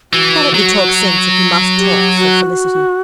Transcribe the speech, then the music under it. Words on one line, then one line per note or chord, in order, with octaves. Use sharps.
"Why don't you talk sense, if you must talk?" said Felicity.
E3 F#4
F#3
G4
F#4